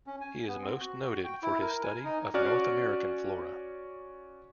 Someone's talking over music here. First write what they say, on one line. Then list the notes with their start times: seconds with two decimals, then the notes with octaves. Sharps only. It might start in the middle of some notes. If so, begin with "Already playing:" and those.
He is most noted for his study of North American flora.
0.07 C#4
0.21 G#5
0.48 B3
0.62 C4
0.80 F#4
1.09 F#4
1.24 G5
1.43 E4
1.61 A#4
1.83 G#5
2.04 D#4
2.34 C#4 F#4 D5 F6